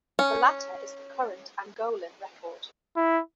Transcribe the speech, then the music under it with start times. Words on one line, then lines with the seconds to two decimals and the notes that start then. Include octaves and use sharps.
The latter is the current Angolan record.
0.19 C#4
2.97 E4